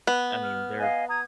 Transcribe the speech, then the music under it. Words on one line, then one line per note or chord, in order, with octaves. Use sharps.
I mean, they're
B3
F6
D#5 F5 G#5
A#5 D#6 G#6